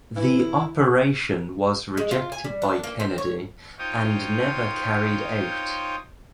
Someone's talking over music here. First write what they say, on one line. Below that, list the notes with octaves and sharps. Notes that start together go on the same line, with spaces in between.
The operation was rejected by Kennedy and never carried out.
E3 E4
G#3
F4
G#5
G3
D4
A#3
C5
C#5
D#4 F4 C5 C#5 G5 D#6